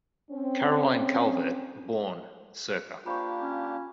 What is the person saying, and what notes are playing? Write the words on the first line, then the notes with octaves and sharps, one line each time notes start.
Caroline Calvert, born circa.
C4 C#4
A#3 D4 F4 G4 C5 B5 C#6
C#4